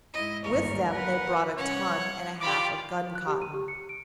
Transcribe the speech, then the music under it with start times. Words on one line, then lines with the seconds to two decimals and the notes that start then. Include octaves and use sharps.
With them they brought a ton and a half of guncotton.
0.14 G#2 E4 D#5
0.44 G1 D#2 G#2 A#4 C#6
0.93 B4 F#5
1.58 C2 C#4 C#5 F#5
1.97 G#6
2.41 F4 G4 D5 B5 D6
3.15 F#6
3.27 G4
3.42 D#7
3.53 G4
3.68 C#7
3.89 D7